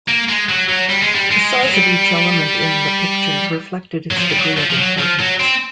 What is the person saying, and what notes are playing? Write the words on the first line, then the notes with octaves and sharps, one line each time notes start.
The size of each element in the picture reflected its degree of importance.
A#3
G#3
F#3
F#3
G3
G#3
G3
G#3
F#3
G3
F#3
F3
G3
F#3
F3
F3
F#3
F3
F#3
C4